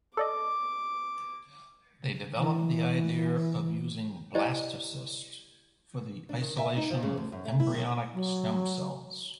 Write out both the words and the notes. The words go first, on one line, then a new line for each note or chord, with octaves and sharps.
They developed the idea of using blastocysts for the isolation of embryonic stem cells.
A4 D5 D#5 D6
E3
E4 G4 C5 D5 D#5
D4
D#3
E5
D#4
F3
C#3
D2
F#2
A3
E4
D#3
F#3